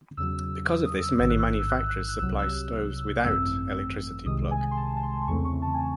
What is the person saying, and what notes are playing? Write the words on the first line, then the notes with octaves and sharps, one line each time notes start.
Because of this many manufacturers supply stoves without electricity plug.
E2 C#3 F#3 E6
D#6
D#6
E6
A1 G#2 D#3 E6
F#6
E6
F#6
E6
F#6
E6
F#6
E6
F#6
C2 C3 F#3 E6
F#6
E6
G#1 F#2 E3 A3 C4 E6
C2 C3 D#3 G#3 D#6
G#5
C6
A5
A5
C6
C6
E2 C#3 E3 A3 C4 C#6
C#6
A5
G#5
A5